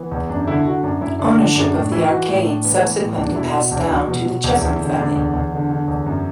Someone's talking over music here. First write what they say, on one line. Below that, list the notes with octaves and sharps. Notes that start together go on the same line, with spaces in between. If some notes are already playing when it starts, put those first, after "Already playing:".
Ownership of the arcade subsequently passed down to the Chesham family.
Already playing: E3 B3
E2
F#2 D4
D3 E4
D3 F#4
F#2 D4
F#2 E4
D3 D4
D3 D4
F#2 D4
A2 D4
E3 E4
E3 F#4
A2 E4
A2 D4
E3 B3
A3
E3 B3
A2
E2 D4
D4
B2 E4
B2
E2 D4
E4
E2 F#4
B2
B2
E2
E2 E4
D3
D3 D4
E2
E2
D3
D3
E2
F#2